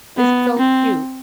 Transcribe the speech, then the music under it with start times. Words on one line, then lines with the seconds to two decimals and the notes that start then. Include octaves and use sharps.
It's so cute
0.17 B3
0.59 C4